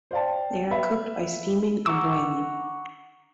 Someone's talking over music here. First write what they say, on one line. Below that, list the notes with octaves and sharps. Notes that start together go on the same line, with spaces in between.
They are cooked by steaming or boiling.
C5 D5 F5 G5 A5
B4 E5 F5 B5
F#5 A#5 C#6 D6 E6